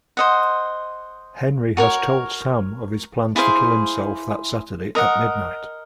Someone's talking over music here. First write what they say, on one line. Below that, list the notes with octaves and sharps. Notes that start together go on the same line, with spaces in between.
Henry has told Sam of his plans to kill himself that Saturday at midnight.
C5 D#5 F#5
F#4 A#4 C#5
E4 G#4 C5 F5
A#4 D#5 F#5